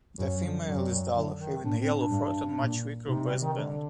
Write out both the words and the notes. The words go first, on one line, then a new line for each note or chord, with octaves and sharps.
The female is duller, having a yellow throat and much weaker breast band.
F#2 F#3
D3
F#2 D#3
G3
G3
F#3
D3
D#3
A2 D4
C4
D4
G2
A#2
C3 D#4
G3
D#3
D3